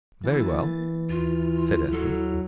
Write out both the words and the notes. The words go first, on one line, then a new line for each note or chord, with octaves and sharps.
"Very well," said Ethne.
E3 A#3 A6
D#2 E4 F4 F6
F#3 A4